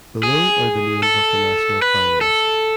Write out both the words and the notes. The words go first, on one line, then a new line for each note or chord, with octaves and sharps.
Below are the names of the national finalist.
G#4
A4
B4
A4